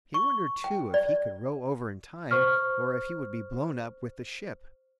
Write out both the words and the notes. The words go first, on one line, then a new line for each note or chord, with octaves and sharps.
He wondered too if he could row over in time, or if he would be blown up with the ship.
C#6
G5
D5
C5 C#6 F6